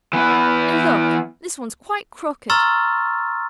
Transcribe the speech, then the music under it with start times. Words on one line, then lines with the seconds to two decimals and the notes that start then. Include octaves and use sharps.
And look, this one is quite crooked!
0.13 E3 B3 B4
2.50 A#5 C6 C#6 E6 F6 A6